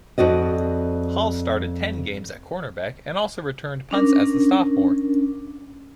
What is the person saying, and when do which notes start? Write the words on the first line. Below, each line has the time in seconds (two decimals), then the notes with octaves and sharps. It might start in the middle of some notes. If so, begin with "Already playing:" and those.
Hall started ten games at cornerback and also returned punts as a sophomore.
0.18 F2 F#4 D5 D#5
3.91 C#4 D4 A#4